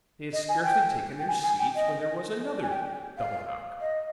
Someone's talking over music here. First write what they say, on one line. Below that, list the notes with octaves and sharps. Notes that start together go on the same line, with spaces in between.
They had scarcely taken their seats when there was another double knock.
D#5
G#5
G5
G5
G#5
G#5
G5
D#5
D5
G#5
G5
F5
D#5